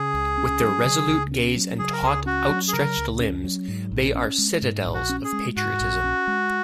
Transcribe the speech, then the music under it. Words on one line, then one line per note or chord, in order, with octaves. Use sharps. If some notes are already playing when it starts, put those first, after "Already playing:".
With their resolute gaze and taut, outstretched limbs, they are citadels of patriotism.
Already playing: C#3 G#4
C#2
C#4
F#3
C#3
C#2
C#4
F#3
C#3 G#4
A#4
C#2 G#4
C#4 F#4
F#3
G#4
C#3 A#4
C#2
C#4
F#3
G#2
A#1
C#4
G#3
G#2
A#1
F#4
C#4
G#4
G#3
G#2 F#4
A#1
C#4
G#3